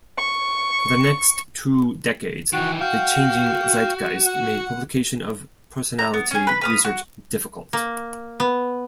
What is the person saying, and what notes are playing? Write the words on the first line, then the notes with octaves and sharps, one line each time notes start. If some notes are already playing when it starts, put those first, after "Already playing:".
For the next two decades, the changing zeitgeist made publication of personality research difficult.
C#6
D#3 E3 F#4
F#4 F5 G5
F#5
A#5
B3
C#4 G#4
B4 B5
B4 F5 D#6
F#4
A#3
B3